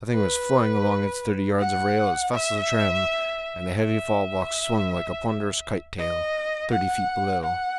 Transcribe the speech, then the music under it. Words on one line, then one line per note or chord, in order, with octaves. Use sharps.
The thing was flying along its thirty yards of rail as fast as a tram, and the heavy fall-blocks swung like a ponderous kite-tail, thirty feet below.
B4
F#5
E5
E5
D#5
F#5
F#5